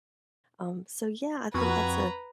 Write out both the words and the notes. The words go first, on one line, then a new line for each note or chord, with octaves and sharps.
Um, so yeah, I think that's a
F2 F#4 B4 A#5 G#6